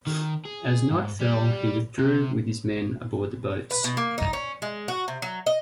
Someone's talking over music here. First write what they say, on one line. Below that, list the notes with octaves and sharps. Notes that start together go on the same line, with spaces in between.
As night fell, he withdrew with his men aboard the boats.
D#3
G#4
G#2
G3
C3
B4
B2
A#3
D#4
C#4
G#3
F#4
C3
F#3
D#5